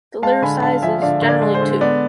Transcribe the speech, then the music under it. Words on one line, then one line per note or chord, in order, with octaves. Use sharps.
The litter size is generally two.
G#3 F5 A5
D3 G#5 B5
D3 F5 A5
F5
F3 E5 G#5
D3 D5 F5
D3
D5
G#3
C5
D3
B3 D5